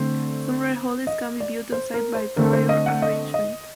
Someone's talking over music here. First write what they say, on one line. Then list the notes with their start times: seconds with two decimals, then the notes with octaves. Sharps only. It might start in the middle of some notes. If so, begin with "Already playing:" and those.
Some rare holdings can be viewed on site by prior arrangement.
Already playing: D3 A3 C4 C5
1.07 D#5
1.40 D5
1.72 C5
1.94 A#4
2.15 C5
2.36 D3 A3 C4 A#4
2.53 C5
2.69 D#5
2.86 F#5
3.02 D#5
3.34 D#5